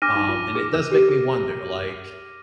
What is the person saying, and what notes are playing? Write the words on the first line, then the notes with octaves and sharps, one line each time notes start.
Um, and it does make me wonder, like,
D4 D6 F6 A#6 D#7
D#4
F4
G#4 D6 F6 A#6 D#7
A#4
G4
G#4 D6